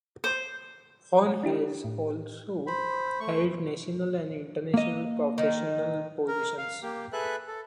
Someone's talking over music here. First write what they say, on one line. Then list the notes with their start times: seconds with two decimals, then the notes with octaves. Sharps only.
Horn has also held national and international professional positions.
0.24 C5
1.43 D4 E4 G4
1.84 A2
2.67 C5 B5
3.20 A3 C#6
4.74 A#3 D#5
5.38 D#3
6.27 A#4
6.58 F5
6.83 A#3 G4
7.13 G#4 A4 B4 E5 F#6
7.47 A4